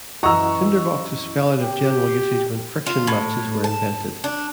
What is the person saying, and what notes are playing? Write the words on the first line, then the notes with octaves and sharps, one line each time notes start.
Tinderboxes fell out of general usage when friction matches were invented.
F#2 E3 E4 D#5 F#5 A#5 C#6 E6
G4
F4
A2
A5
D4